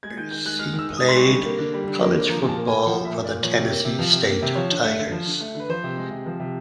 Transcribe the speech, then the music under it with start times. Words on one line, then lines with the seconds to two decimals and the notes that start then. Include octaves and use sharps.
He played college football for the Tennessee State Tigers.
0.03 G#3 G#6
0.17 D#3 G6
0.31 D#3 G6
0.45 G#3 F#6
0.59 G#3 F6
0.74 D#3
0.79 E6
0.89 D#3
0.97 D#6
1.02 G#3
1.09 C6
1.17 G3 C#6
1.30 D3
1.45 A#3
1.59 D3
1.74 G3
1.87 D3
2.01 A#3
2.16 D3
2.29 F3 A#5
2.43 A#2
2.49 A5
2.58 A#3
2.67 G#5
2.72 A#2
2.86 F3 F#5
3.01 A#2 E5
3.14 A#3
3.24 D5
3.29 A#2
3.43 F3 C#5
3.57 C3
3.71 A#3
3.85 C3
3.99 F3
4.13 C3
4.28 A#3
4.42 C3
4.55 F3 C#5
4.70 D3
4.84 A3
4.99 D3
5.12 F3
5.26 D3
5.41 A3
5.55 D3 B4
5.69 F3 C5
5.84 C3
5.97 G#3
6.11 C3
6.26 F3
6.40 C3